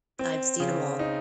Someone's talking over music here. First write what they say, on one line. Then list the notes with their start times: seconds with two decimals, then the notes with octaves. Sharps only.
I've seen 'em all
0.19 C4
0.60 C#3
0.99 D#4